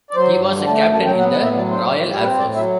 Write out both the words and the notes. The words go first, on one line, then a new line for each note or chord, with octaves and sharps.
He was a captain in the Royal Air Force.
D5
F#3 C5
G2
D3
A3 A5
G5
F#2
A5
F#3 G5
B3 F#5
F#5
A2
E5
F#3 D5
D4 C5
A2
G3
C4 B4
A2 D5
F#3 E5